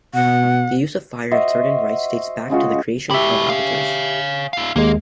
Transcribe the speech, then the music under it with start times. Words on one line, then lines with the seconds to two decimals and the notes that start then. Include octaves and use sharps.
The use of fire in certain rites dates back to the creation of altars.
0.14 B2 F#5
1.31 F#4 C5 D#5 E5
2.50 C#3 G#3 F4 F#4
3.11 E4 F#4 G4 E5
3.49 C#5 F5
4.53 E4 F5
4.76 D#2 G#3 A#3